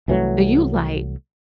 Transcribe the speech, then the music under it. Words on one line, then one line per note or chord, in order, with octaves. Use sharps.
Do you like
C2 E3 F#3 A3